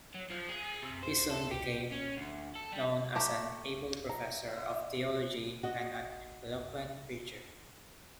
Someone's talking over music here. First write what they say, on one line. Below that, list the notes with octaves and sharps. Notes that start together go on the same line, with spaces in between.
He soon became known as an able professor of theology and an eloquent preacher.
F#3
F3
G#4
C3
C5
A4
G4
C#4
D2
A4
G3
A3 G4 A#5
A#5
F#4 D#5